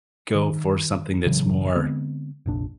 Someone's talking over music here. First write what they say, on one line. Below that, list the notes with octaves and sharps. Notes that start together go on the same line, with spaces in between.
go for something that's more
D#3
A1 C#3 E3 F#3
D3 G#3 B3 C4
F1 A#1 D4